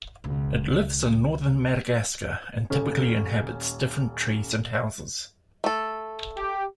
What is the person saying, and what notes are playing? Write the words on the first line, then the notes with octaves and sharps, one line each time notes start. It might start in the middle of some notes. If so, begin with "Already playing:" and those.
It lives in northern Madagascar and typically inhabits different trees and houses.
C#2 B2
D#1 C#4
A3 A4
G4